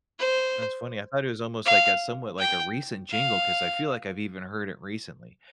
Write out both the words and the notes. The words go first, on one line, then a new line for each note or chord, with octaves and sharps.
That's funny. I thought it was almost like a somewhat like a recent jingle 'cause I feel like I've even heard it recently.
C5
F5
G5
F5